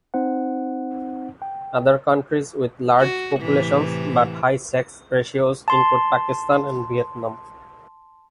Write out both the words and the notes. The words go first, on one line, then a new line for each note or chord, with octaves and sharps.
Other countries with large populations but high sex ratios include Pakistan and Vietnam.
C4 D#4 C5 F#5
G5
F#4
A2 C3 E3
A5 C6